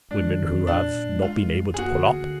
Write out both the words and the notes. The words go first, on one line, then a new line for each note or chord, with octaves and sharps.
"The women who have--not been able to pull up?"
G#3 D4
D#3
D#3
G#4
A#2 D4
A#2
A#2
G#3
G#3 F4
G#3
F#2
F#2
G#4
A#3 F#4
D3
D2
D3